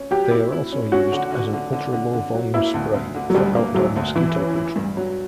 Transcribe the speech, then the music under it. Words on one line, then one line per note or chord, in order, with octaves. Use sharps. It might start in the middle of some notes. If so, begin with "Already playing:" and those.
They are also used as an ultra-low volume spray for outdoor mosquito control.
Already playing: C#4
F#3 G4
E4
E4
C#4
C#4 F#4
D3
D3
D3
D3
D3
D3
F#3
A#3 E4
D2
D2
D3
F#3
D2 G3
A#3
D2 F#3
D2
E3 E4
C#4
E4
G2
F#3